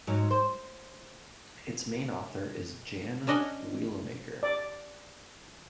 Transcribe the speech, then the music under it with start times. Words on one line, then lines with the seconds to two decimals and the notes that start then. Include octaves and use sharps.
Its main author is Jan Wielemaker.
0.07 G#2 F#3
0.31 C5
3.27 C#4 D4 D#5 F#5 G#5
4.43 D5